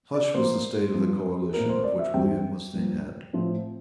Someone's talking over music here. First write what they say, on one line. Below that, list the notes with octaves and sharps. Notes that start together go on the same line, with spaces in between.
Such was the state of the coalition of which William was the head.
D5
A2 F3 A#3 C5
G2 F3 C4
A#2 A3 C4 A#4
C5
D5
E5
E2 C3 G3 C4 G5
G2 F3 A#3
A2 F3 C4